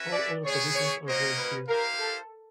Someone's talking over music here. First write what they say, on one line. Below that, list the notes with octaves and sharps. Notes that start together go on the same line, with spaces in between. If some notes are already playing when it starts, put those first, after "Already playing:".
All other positions are volunteer.
Already playing: C#4 F#4 B4 E5
D5
B3 E4 G#4 C#5
C#5
A#3 C#4 F#4 A#4 C5 D#5
B4
E4 G4 A#4 C5 F5
A4